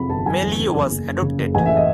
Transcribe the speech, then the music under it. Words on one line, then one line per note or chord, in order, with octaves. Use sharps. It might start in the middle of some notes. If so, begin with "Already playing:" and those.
Miley was adopted.
Already playing: F2 C3 F3 B5
G1 A5
F#3 G#5
E2
C#3
F#1
F#1
F#2
C#3
F#1
A1 G#5
E5
D#5